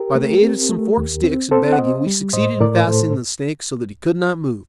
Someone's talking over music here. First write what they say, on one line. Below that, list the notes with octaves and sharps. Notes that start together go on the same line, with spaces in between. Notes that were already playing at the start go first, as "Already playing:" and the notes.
By the aid of some forked sticks and bagging we succeeded in fastening the snake so that he could not move.
Already playing: G4 A#4
A3
C4
A3
D#2
C4
C4 A4 C5
F#5
C4 C5 D#5
G3
A2 C5 D#5
A2 A#4 D5
A2 A4 C5